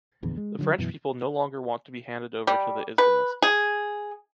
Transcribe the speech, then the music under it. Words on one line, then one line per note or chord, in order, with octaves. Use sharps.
The French people no longer want to be handed over to the Islamists.
D1 A#1 E2 D3
G#3
D3 E3 F#3
F#2 B2 E3
G3
B4
G#4